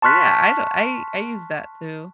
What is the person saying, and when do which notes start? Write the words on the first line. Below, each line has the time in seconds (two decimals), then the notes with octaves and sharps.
But, yeah, I d I I used that too.
0.02 A5 C6 C#6 F6 F#6 B6